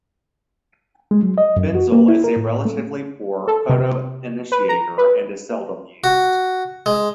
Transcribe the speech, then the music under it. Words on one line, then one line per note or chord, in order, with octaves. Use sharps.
Benzil is a relatively poor photoinitiator, and is seldom used.
G#3
F#3
D#5
F#2
F#4
A#3
E4
A#4
A2
A3
A4
C3
B4
A#5
B4
F#4
G#3